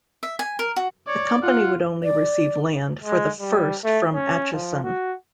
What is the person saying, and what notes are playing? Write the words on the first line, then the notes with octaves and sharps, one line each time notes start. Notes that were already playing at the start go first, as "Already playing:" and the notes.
The company would only receive land for the first from Atchison.
E5
G#5
A#4
F#4
C#5 D5
F4 F#5
D5
G#3
G3
A3
C#4
F3
F#4